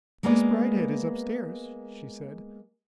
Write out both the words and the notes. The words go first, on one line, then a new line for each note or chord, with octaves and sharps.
"Miss Bridehead is up-stairs," she said.
G#3 A#3 B3 B4 D5